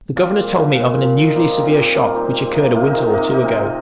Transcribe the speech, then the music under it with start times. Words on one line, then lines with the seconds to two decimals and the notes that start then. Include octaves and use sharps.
The Governor told me of an unusually severe shock which occurred a winter or two ago.
0.16 G3 C4 F4
0.36 A#2
0.56 A#2
0.75 A#2
0.96 A#2
1.15 A#2
1.28 D#4
1.35 G3 C4 F4
1.50 A#2 D#4 G4
1.65 C4 F4
1.75 A#2
1.94 G3 A#3
2.07 F4
2.15 A#2 D#4
2.25 C4
2.35 A#2
2.54 C3 D#4 G4
2.74 C3 C4 F4
2.87 D#4
2.94 D#3 C4
3.13 C3 A#3 D#4
3.32 C3 D#4
3.43 C4 F4
3.53 C3